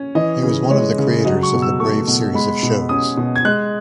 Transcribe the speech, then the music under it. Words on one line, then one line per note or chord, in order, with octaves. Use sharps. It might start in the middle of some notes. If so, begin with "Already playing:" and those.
He was one of the creators of the Brave series of shows.
Already playing: C#4
E3 D#5
C#3
G#3 C#5
C#3
F#3 D#5
C#6
B2
E6
A3 C#6
B2
G#3 B5
B2
C#4 D#6
B2
G#6
G#3 F#6